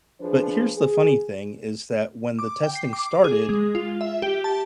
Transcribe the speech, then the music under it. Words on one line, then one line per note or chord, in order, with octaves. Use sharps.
but here's the funny thing, is that when the testing started,
F2 F3 D4 G#4 B4 C5
G#4
D6
G5
C7
D6
G#4
G#3
F4
E5
G4
A5